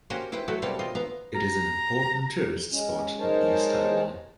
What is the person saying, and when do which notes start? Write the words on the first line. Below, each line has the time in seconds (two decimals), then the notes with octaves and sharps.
It is an important tourist spot in East Taiwan.
0.10 A#3 C#4 F#4 G4 C5
0.32 E4 B4 C5 G5
0.48 F#3 A3 E4 F#4 A4
0.62 B2 G3 A#3 C4 C#5 A5
0.79 C4 F4 D#5
0.95 B3 E5 F5 A#5
1.36 A#5
2.72 G#3 C#4
3.20 G#3 D#4 A#4 C5 C#5 A5